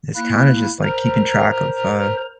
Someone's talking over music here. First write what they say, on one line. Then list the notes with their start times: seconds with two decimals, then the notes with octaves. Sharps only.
is kinda just, like, keeping track of, uh,
0.16 A#3 E4 F#6
0.83 A#4 C5 A#5